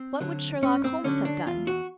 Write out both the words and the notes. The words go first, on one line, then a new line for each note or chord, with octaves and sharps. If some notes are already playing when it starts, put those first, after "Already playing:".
What would Sherlock Holmes have done?
Already playing: C4
D3 F#3
G2 C#4
C4
D3 F#3 C#4
D4
E2 F4
F#4